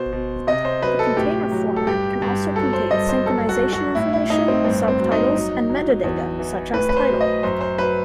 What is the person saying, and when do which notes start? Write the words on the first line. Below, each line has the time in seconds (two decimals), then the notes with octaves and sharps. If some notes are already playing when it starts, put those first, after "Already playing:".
The container format can also contain synchronization information, subtitles, and metadata such as title.
Already playing: B2 C5
0.13 B2
0.47 C3 D#5
0.65 C5
0.82 F#3 B4
0.99 A4
1.17 A2 G4
1.52 F#3
1.76 A4
1.87 G2 G4
2.22 G2
2.56 F#3 A4
2.73 C5
2.91 G2 D#5
3.09 C5
3.26 F#2 A4
3.49 F#4
3.61 F#3
3.73 F#4
3.95 A2 E4
4.13 E4
4.30 A2 D#4
4.48 C4
4.64 G2 C4
4.88 C4
5.00 F#3
5.12 D#4
5.35 F#3
5.69 F#3
6.04 E2
6.39 E3
6.73 A2 B4
6.89 B4
6.97 C5
7.09 F#3
7.21 D#5
7.43 F#2 C5
7.61 C5
7.78 F#3 B4